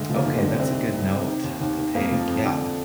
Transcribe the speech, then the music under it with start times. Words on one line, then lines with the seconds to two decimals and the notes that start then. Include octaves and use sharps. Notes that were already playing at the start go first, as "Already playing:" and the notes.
Okay, that's a good note to take. Yeah.
Already playing: D2 G#3
0.10 F3
0.15 A#3
0.25 D2
0.37 G#3 C4
0.43 D3
0.59 C2 G#3 C4
0.76 D#3
0.93 C2
1.09 C3
1.27 D#3
1.43 D#2
1.60 D#2
1.77 D#3
1.95 F2 A#3
2.11 F3
2.28 F2
2.44 D3